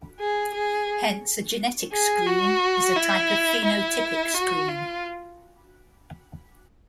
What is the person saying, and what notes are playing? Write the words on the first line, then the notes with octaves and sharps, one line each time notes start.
Hence a genetic screen is a type of phenotypic screen.
G#4
G#4
G#4
F#4
E4
E4
F#4
F4